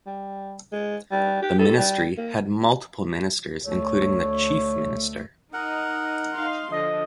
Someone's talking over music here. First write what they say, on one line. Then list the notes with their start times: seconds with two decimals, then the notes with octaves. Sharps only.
The ministry had multiple ministers including the Chief Minister.
0.06 G3
0.72 G#3
1.12 G3
1.42 G4
1.59 A4
1.77 G3
2.18 A#3
3.65 D2 A3 C#5
5.53 D#4 A#4 F#5
6.36 D#4 F5 C6
6.72 D3 F3 D#5